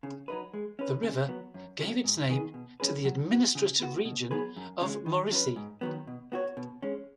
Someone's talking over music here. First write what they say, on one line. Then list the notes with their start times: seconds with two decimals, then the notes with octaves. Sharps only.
The river gave its name to the administrative region of Mauricie.
0.03 C#3
0.28 F#3 D#4 B4
0.54 G#3
0.79 C#4 B4
1.03 C#3
1.28 F#3 B3
1.54 F#2
1.79 C#3 F#3
2.04 G#2
2.29 D#3 B3 G#4
2.54 B2
2.80 F#3 C#4 G#4 B4
3.05 F#3
3.31 B3 F#4
3.55 C#3
3.80 B3 F#4
4.05 B2
4.31 F#3 B3 G#4 B4
4.56 F#2
4.81 C#3 G#3
5.06 D#3
5.31 F#3 C#4 B4
5.56 G#2
5.81 D#3 F#3 B3
6.07 B2
6.32 B3 F#4 C#5
6.57 B2
6.82 G#3 C#4